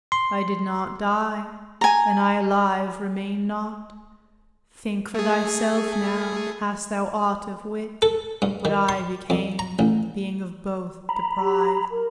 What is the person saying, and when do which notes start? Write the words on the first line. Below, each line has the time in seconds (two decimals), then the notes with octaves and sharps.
I did not die, and I alive remained not; Think for thyself now, hast thou aught of wit, What I became, being of both deprived.
0.12 C6
1.81 G#5 A#5
5.14 A3 G#4
8.02 A4
8.42 G2
8.65 D#3
8.89 C6
9.30 F2
9.59 A#5
9.79 A1
11.09 A#5 B5
11.41 G4
11.91 A#4